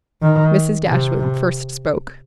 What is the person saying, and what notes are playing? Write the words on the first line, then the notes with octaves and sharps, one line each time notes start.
Mrs. Dashwood first spoke.
D#3
C3